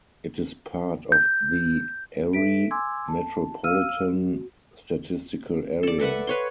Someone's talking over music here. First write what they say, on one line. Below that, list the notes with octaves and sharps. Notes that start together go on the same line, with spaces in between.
It is part of the Erie Metropolitan Statistical Area.
G6
A4 E5 B6 D7
G#5 C6 D6 E6 G#6
A5
F5 E6 F6 D#7
F#4
A4 D5
A4 B4 E5 F#5
B4 C#5 C6